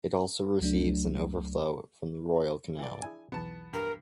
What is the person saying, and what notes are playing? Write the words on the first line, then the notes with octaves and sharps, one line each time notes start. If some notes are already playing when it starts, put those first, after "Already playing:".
It also receives an overflow from the Royal Canal.
C#2 F#3 A3 D4
E3 D5
D4 E4 G#4 G#5
B1 E2 B3 A5
G2 A#4